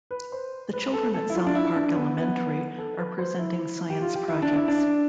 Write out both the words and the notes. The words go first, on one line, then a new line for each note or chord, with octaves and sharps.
The children at South Park Elementary are presenting science projects.
B4
C5
B4
A4
A4
E4
F4
D4
E4
D4
B3
B3
A4
B4
C5
E4
G4
F4
G4
E4
D4
E4
D4